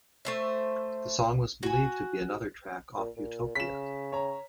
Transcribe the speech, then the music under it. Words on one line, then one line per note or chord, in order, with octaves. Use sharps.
The song was believed to be another track off "Utopia".
A3 C5 E5
F#4 G#5
A#2
A#2
C#3 B6 E7
C#5 A#5